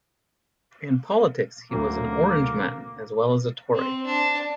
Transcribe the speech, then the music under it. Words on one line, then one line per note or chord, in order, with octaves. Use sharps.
In politics he was an Orangeman as well as a Tory.
D2 F#3 A#3
C4
D4